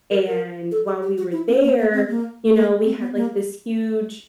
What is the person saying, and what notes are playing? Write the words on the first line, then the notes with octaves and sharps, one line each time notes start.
and while we were there, you know, we had, like, this huge
A#4
A#4
A4
G#4
G4
F#4
E4
C4
A#3
A#3
C4
A#3
A#3
C4
B3
A#3